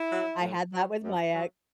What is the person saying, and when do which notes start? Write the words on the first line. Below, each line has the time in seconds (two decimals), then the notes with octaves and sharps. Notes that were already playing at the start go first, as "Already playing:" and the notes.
I had that with my ex.
Already playing: E4
0.11 F#3
0.42 A2
0.73 F#3
1.04 F#2
1.34 F#3